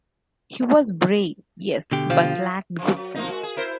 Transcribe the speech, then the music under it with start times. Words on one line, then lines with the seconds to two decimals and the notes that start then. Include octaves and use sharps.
He was brave, yes, but lacked good sense.
1.92 B2 D3 G4
2.10 F3
2.79 F#2 F3
2.96 F#3
3.16 F3 A#3 D#4
3.30 G#3 F#4
3.43 G#4
3.56 E4 A#4 C5